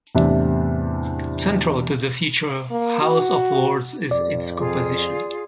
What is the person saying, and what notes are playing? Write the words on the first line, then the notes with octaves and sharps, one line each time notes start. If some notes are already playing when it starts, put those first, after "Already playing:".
Central to the future House of Lords is its composition.
E2 A2 C3 D4 E5
A#3
F#4
F2 D5
F4 G#4